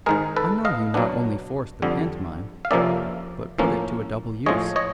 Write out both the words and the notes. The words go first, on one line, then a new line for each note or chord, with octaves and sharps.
I know you not only forced the pantomime, but put it to a double use.
G#2 D#3 G#3 G#4 A#4
A4 B4
D#5 F5
B2 F#3 B3 D4
F2 D3 G3
F5
F2 C3 F3 A#3 C#4 D5 E5
A2 F3 A#3 C#4
A2 F3 G#3 C#5 D#5
C#5 D#5